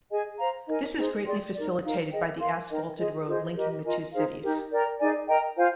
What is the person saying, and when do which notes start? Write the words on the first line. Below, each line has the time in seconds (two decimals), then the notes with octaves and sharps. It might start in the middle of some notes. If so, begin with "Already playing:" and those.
This is greatly facilitated by the asphalted road linking the two cities.
0.10 G#4 D#5 G#5
0.37 C5 F5 A#5
0.66 D#4 A#4 D#5 G#5
0.95 D#4 G#4 C5
1.24 G#4 D5 G5 C6
1.53 D#4 A#4 D5
1.82 D#4 A#4 F5
2.11 G#4 D#5 G5
2.39 A#4 F5 C6
2.69 D#4 A#4 D#5 G5
2.97 F4 G#4 D#5 G#5
3.26 F4 G#4 C5 D#5
3.54 G4 A#4 D#5
3.83 F4 A#4 D#5 G#5
4.12 D#4 G#4 C5 F5
4.42 D#4 G4 A#4
4.71 A#4 D5 G5 A#5
4.99 D#4 G#4 D5 G#5
5.28 A#4 D#5 G5 A#5
5.57 F4 C5 F5 G#5